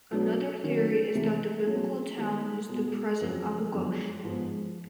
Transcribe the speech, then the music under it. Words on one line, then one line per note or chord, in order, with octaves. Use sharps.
Another theory is that the biblical town is the present Abu Ghosh.
B2 F#3 B3 D4
D#3 F#3 A#3 C#4
C3 E3 A3
B2 F#3 A3 C#4
D#3 G3 B3 D#4
B2 G#3 B3
F2 C#3 F#3
F#2 D3 F3 G#3 B3
G#2 F3 G#3 B3